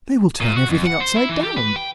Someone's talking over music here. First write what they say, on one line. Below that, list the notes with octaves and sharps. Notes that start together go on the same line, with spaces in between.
"They will turn everything upside down."
A#2
F#4
F2
F#5
C5
E4
E3
G4
B4
G5